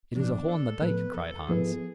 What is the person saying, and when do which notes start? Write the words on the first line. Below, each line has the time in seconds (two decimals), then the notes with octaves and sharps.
"It is a hole in the dike!" cried Hans.
0.15 A2 F3 B3 D4
0.48 A4
0.81 A2 F3 B3 B4
1.14 A4
1.47 G#2 F3 B3 E4 G#4 B4